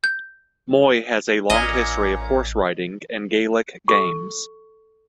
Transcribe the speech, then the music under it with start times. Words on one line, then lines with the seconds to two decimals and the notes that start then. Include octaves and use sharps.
Moy has a long history of horse riding and Gaelic games.
0.04 G6
1.50 A1 A#2 C#4 D#5
3.88 A4 C#6